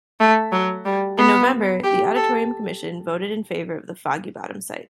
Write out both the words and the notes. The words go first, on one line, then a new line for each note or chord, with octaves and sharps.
In November, the Auditorium Commission voted in favor of the Foggy Bottom site.
A3
F#3
G3
B3
G4
A4